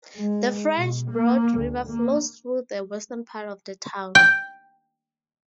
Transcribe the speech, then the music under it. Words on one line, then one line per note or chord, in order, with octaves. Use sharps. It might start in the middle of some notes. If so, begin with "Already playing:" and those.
The French Broad River flows through the western part of the town.
G#3
B2
A#3
D2
A#3
G5